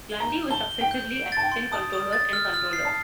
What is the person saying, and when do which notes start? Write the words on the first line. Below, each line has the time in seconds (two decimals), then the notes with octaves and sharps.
Lundy was successively assistant controller and controller.
0.10 G7
0.20 A#5
0.30 G6
0.51 A5 G7
0.71 G7
0.81 G5
0.91 G6
1.11 D7
1.32 A5 A6
1.42 G5
1.52 C6
1.72 A5 D#6
1.93 D#6
2.13 A6
2.33 F6
2.54 F6
2.73 C7
2.85 A5